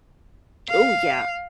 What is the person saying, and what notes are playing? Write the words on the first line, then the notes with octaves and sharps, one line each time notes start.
Ooh, yeah.
F5